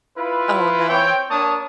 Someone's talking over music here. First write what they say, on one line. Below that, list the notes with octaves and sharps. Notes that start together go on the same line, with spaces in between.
Oh, no.
E4 F4 B4
C4 C#5 G5
A#3 D4 C#5 A5 D#6